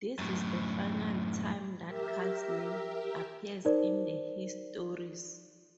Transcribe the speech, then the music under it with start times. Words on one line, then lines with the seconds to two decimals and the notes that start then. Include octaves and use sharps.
This is the final time that Kal's name appears in the histories.
0.19 F#2 A2
1.87 G4 A#4 E5
3.65 D#4 A#4 C5 D5